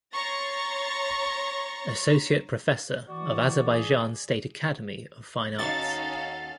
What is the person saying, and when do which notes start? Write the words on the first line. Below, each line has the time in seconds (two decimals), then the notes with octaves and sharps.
Associate Professor of Azerbaijan State Academy of Fine Arts.
0.13 C#5 A#5 C6 C#6 A6 A#6
3.08 E3 F#4 D5
3.69 G#4
5.59 D#2 C#4 D#4 F#4 A4 F5 F#5 A6